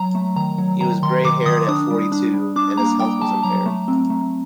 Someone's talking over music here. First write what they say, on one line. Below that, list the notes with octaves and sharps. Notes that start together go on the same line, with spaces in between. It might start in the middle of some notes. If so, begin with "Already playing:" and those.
He was grey-haired at forty-two, and his health was impaired.
Already playing: F#3 A#5
A3
D#3 A#5
F#3
D#3 A#5
D#3 C6
D#3 D6
D#3 D#6
D4 D#6
G3
D4
G3
D4 D6
A#3 A#5
G3 G5
G3 A5
F#3 A#5
A3
C4
A3